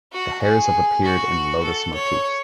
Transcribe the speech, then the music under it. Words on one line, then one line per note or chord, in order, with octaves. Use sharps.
The hares have appeared in Lotus motifs.
F#4
G#4
F#4
A4
C#5